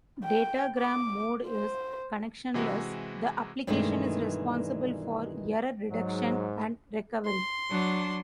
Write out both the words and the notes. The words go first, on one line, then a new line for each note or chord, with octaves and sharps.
Datagram mode is connectionless; the application is responsible for error detection and recovery.
G5
D6
C5
C3 E3 G#3 E4 F#4
G2 B2 D#3 E3 G#3 A3
G#2 F#3
C6
F#3 D4